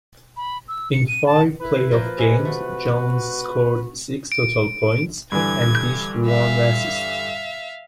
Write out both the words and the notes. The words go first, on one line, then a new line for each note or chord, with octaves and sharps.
In five playoff games, Jones scored six total points and dished one assist.
B5
E6
C#7
D#7
A5
E4 B4
F3 A#3 F4
C3 G#3 G#5
A3 F#4
D7
G2 D3 E3 G#6
E5 F5